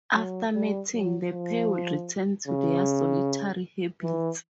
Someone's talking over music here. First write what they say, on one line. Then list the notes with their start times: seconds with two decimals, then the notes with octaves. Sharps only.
After mating, the pair will return to their solitary habits.
0.15 F#3
0.54 G3
0.93 F#3
1.31 F3
2.48 C#3
4.03 E3